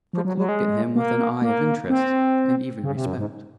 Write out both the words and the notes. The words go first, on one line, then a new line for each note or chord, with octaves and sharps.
Crook looked at him with an eye of interest and even respect.
F3
F#3
F#3
G#3
A#3
A#3
C4
C#3
C3
F#2
G#2